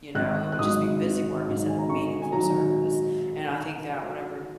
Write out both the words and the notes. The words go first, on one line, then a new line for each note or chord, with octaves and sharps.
you know? It would just be busy work instead of meaningful service, and I think that whenever
G#1 F#6
F#6
G#2 D#3 F#3 D#6
G#1
G#2 D#3 F#3
G#5
A#5
G#1 C#6
G#5
D#3 F#3 A#5